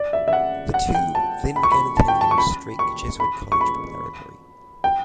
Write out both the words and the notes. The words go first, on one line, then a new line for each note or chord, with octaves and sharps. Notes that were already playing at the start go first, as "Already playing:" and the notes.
The two then began attending Strake Jesuit College Preparatory.
Already playing: D5
E5
E5
F#5
F#5
G5
A5
B5
C#6
B5
A5
G5
A5
C#6
B5
C#6
B5
C#6
B5
G5